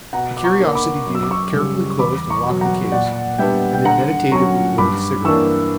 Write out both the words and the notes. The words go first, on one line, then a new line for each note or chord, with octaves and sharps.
The curiosity dealer carefully closed and locked the case, and then meditatively rolled a cigarette.
B2 F#5 A#5
D6
A#5 C#6
A#3 D4
B5 D6
F#2
E6
D6
C#6 E6
C#3 G3
E2 B5 D6
A#5 C#6
B2 F#3
F#5 A#5
A#2 D5 F#5
G3 B3 D4 E5 G5
G5
D3 F#5 A#5
F#3 C#4 A#5 C#6
G2 B5 D6
E3 A#3 D4 C#6 E6